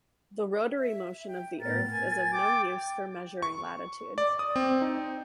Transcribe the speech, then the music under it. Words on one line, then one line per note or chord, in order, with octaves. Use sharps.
The rotary motion of the earth is of no use for measuring latitude.
E5
G5
A2 B3 A#4 A6
G#5
G5 D6
C#6
D5
D#6
C4
D#4